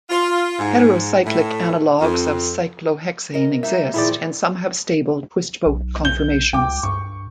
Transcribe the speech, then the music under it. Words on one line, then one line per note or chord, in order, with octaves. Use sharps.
Heterocyclic analogs of cyclohexane exist, and some have stable twist-boat conformations.
F4
G#2
A2
F2
A#4 D#5
G3 D#4 E5
A#2 D#3 F3 E4 G#4 D5
B1
G6 G7
C#2 G5 D6
G2 C#6